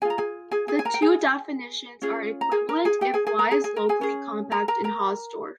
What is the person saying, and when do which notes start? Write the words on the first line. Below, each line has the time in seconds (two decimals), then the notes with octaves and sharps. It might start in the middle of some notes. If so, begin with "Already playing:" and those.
The two definitions are equivalent if Y is locally compact and Hausdorff.
0.02 F4 G#4 G#5
0.10 A#5
0.18 G#4 G#5
0.51 G#4 G#5
0.68 G#4 G#5
0.79 G#5
0.85 A#4 A#5
0.94 G5
1.02 G#4 G#5
2.02 C#4 F4 G#4
2.41 A#5
2.52 G#4 G#5
2.69 A#4 A#5
2.85 G#4 G#5
3.01 G4 G5
3.14 G#4 G#5
3.27 G#4 G#5
3.39 A#4 A#5
3.51 G#4 G#5
3.64 G#4 G#5
3.76 A#4 A#5
3.89 G#4 G#5
4.01 C#4 G#4
4.52 A#4 A#5
4.68 A#4 A#5
4.84 A#4 A#5